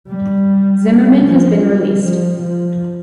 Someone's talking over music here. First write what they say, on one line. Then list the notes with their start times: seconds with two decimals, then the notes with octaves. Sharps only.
Zimmermann has been released.
0.09 G3
1.25 F3
1.63 G3
2.02 F3
2.41 F3